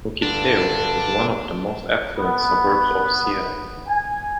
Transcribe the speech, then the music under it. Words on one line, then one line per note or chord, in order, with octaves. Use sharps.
Mukilteo is one of the most affluent suburbs of Seattle.
G2 D3 D4
B3
G#5